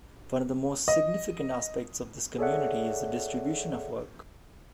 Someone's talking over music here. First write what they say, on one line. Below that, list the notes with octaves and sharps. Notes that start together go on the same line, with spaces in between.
One of the most significant aspects of this community is the distribution of work.
D#5
G#4 A4 C#5 D5 E5 F#5